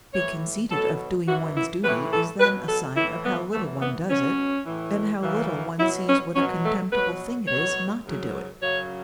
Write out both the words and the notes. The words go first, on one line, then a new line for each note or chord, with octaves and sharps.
To be conceited of doing one's duty is then a sign of how little one does it, and how little one sees what a contemptible thing it is not to do it.
A2 E3 C#5
B2 F#3 A4
F#2 E3 F#4
E4
A2 E3 B4
A4
B2 F#3 B4
A4
A2 E3 E4
B3
F#2 E3 A3
B3
B2 F#3 C#4
A2 E3
F#2 C#3 E3
B2 F#3 E4
C#4
B2 F#3 C#4
A3
B2 F#3 B4
B2 F#3 C#5
F#2 C#3 F#3
F#2 C#3 F#3 C#5